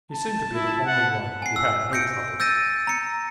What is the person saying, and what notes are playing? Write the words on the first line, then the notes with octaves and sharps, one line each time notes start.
He seemed to be the only one who had no troubles.
A5
E4
F#5
G#5 C7
E6
G6 A#6 C#7 D7
E6 G6 A6 A#6 D#7
A#5 C#7